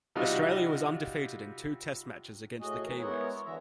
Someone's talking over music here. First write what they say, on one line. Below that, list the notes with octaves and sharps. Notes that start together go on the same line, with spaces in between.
Australia was undefeated in two test matches against the Kiwis.
C3 G3 D#4 F4 F#4
A2 F#4 G#4 D#5
E3 A#4
G#3 B3 E4 A#4 C#5 F#5
D3 E3 E5 A#5